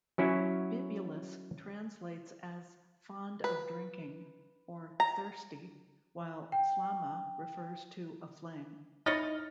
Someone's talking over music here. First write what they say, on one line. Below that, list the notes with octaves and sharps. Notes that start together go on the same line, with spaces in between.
"Bibulus" translates as "fond of drinking", or "thirsty", while "Flamma" refers to a flame.
F#3 C#4 E4
B4
A#5
G5
D#4 E4 C#5 D#5 F6 A6